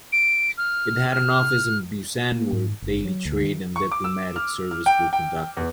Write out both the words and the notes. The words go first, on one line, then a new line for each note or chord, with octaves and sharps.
It had an office in Busan where daily trade and diplomatic service were conducted.
D7
F6
F6
A#3
G#2
F#1
F#3
D2
D#3
C#6
D6
E6
F6
F6
G5
G5
E2